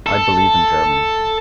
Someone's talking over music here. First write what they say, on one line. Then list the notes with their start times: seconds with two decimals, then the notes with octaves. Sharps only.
I believe in Germany.
0.06 A4